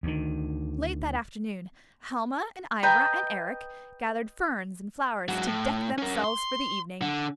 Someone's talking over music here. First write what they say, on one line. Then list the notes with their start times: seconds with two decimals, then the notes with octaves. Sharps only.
Late that afternoon Helma and Ivra and Eric gathered ferns and flowers to deck themselves for the evening.
0.03 D2 D#3
2.83 B4 D#5 G5 A#5
5.28 G#2 F#3
5.47 A2
5.98 C#4 A#4
6.24 C6
7.02 D3